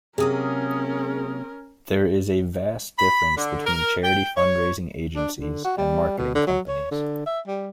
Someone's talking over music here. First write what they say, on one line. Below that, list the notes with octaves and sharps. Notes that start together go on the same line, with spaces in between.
There is a vast difference between charity fundraising agencies and marketing companies.
C3 F#3 A#3 C#4 G#4 A#4 D#6
B5
D3
A#4
G5
C#5
D4
D3
F#4
G3
B2
D3
F#3
C#5
D3
E5
G3